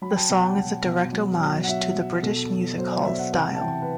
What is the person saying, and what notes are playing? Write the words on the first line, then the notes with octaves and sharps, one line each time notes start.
The song is a direct homage to the British music hall style.
F#3 B5
G5
A5
B2 G5
F#5
B2
B2
F#3
F#3
F#5
F#3 E5
F#3
B2 A4
F#3
F#3 C5
D5
F#3 E5
F#5
C3 F#5
A5
E3 G5
B4